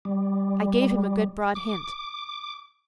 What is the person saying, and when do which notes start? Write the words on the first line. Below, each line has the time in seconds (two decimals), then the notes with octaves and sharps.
I gave him a good broad hint.
0.05 G3
1.55 D6